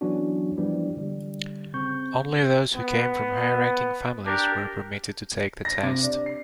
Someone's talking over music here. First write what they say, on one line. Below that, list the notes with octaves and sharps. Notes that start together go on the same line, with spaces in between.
Only those who came from high-ranking families were permitted to take the test.
E3 F#3 B3 C#4 D4 F#4
E3 F3 G3 B3 D4
D3 G3
C#3 C4 C#6 G6
B3
D4 G4 A#4
A#6
C3
D4
C7